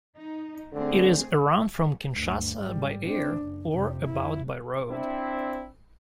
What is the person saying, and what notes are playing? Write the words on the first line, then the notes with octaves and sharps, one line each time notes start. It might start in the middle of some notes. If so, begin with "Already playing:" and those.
It is around from Kinshasa by air, or about by road.
D#4
D3 A3 C4 G#4
D2 G2
G#1 G3
C4 D4
F#1
F2 C3
F2 E4
C4 D4 E4